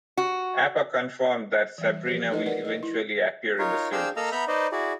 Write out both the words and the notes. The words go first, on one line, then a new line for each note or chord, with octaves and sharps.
Apa confirmed that Sabrina will eventually appear in the series.
F#4
E3 G3
F3 G4 C5
A3 D#4 A4 B4 D#5
A#4 B4 D5 F#5
D#5
E4
D#4 F4 A#4 C#5
D4 G#4 C5 F5 G5 E6
A#3 A4 D#5 F5 A#5 E6
B3 E5 A#5 B5 G6
D#4 B4 C5 D5 D#5
E4 F#4 G#4 D5